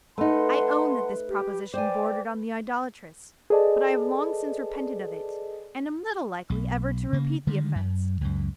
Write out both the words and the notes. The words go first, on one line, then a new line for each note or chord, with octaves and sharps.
I own that this proposition bordered on the idolatrous, but I have long since repented of it, and am little likely ever to repeat the offence.
A3 D#4 B4 F#5 A5 C6
G4
C5 D5 G5 G#5 D6
G#4 A4 B4 D5 D#5 A5
B1
C#3 A#3
D3 D#3 G3 G#3
F#2
C#2 F#2